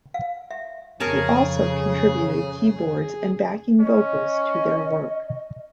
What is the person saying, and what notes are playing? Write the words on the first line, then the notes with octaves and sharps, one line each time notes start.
He also contributed keyboards and backing vocals to their work.
F5
E5
F2 C#3 G#4 A#4 C#5 A5
C#4 D#5